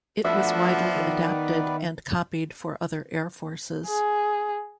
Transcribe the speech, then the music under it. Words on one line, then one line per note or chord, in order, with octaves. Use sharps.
It was widely adapted and copied for other air forces.
F3 A3 B3 D4 F#4 B4 D5 E5
D#3
G#4